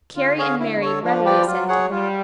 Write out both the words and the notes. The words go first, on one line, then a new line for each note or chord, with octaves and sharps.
Carry and Mary readily assented.
D3 F4
G#4 C#5 F5
E4
A4 C#5
F3 D4
G4 B4 D5 G5
F#3 F4
G#4 C#5 F#5
G3 F4